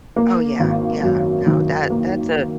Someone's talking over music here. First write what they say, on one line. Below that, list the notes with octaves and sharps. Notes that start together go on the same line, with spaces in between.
Oh, yeah, yeah, no. That that's a
A#3
G#1
F#2
D#3
A#3